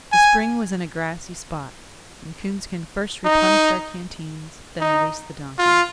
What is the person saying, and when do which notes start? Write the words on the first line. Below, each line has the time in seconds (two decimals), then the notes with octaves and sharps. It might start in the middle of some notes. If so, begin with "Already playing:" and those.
The spring was in a grassy spot, and Coonskin first replenished our canteens, then released the donkeys.
0.12 G#5
3.25 D#4
4.81 D#4
5.59 F4